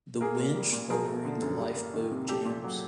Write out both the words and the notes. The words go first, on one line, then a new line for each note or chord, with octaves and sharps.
The winch lowering the lifeboat jams.
A#3 G#4 A#4
A#2
G3
A#2
F3 G#4 A#4
A3
D3
F#2
G3
A#3
D#3
C3
A3 G4 A4
A#2
F#3